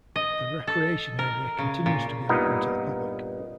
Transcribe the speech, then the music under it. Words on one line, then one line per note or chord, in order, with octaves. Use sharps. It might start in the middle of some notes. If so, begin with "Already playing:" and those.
The Recreation Area continues to be open to the public.
D#5
A4
A#4
C#3
A#2
G2 A#2 B3 D#4